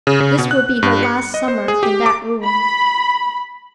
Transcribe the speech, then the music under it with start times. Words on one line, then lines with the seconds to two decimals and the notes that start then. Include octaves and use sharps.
This would be her last summer in that room.
0.07 C#3
0.20 C#3
0.38 B2
0.51 F#6
0.83 G2
1.03 C#7
1.34 D#5
1.48 C5
1.68 G#4
1.83 G4
2.06 D6
2.44 B5